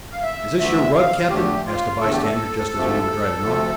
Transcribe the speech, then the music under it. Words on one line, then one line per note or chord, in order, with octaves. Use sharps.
"Is this your rug, captain?" asked a bystander just as we were driving off.
F5
E5
D2 D3 A3 E5
F5
E2 D3 A3 G4
F4
E2 D3 A3 A4
G4
A4
D2 C3 F3 A3
D2 C3 F3 A3